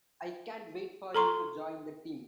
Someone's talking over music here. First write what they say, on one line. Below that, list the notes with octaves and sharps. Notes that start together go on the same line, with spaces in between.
I can't wait for him to join the team.
A4 A#5 C6 C#6